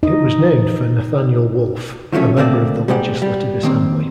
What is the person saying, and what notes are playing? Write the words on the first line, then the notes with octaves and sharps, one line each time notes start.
It was named for Nathaniel Wolfe, a member of the legislative assembly.
D#4 D#5
D#3 F3 F#3 A3 C#4
D3 A3 A#3 C4 D5
G3 G#3 A#3 G4 F#5
G3
D#3 A#3 C4